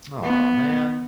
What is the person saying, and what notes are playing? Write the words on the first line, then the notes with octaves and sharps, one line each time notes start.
Aw, man.
B3